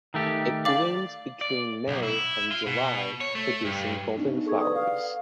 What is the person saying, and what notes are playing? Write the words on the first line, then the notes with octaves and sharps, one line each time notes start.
It blooms between May and July producing golden flowers.
D#3 A3 G4
D5 F5 D6
D5
B1
E4
F4
B2
C#5
A3
G2
B3 D4 D#4
G#4 A4 C#6 G#6
B4 D5 F#5 D#6
F5